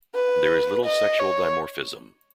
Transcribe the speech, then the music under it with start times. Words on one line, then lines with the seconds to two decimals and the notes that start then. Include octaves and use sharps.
There is little sexual dimorphism.
0.14 B4
0.84 D#5
1.20 C#5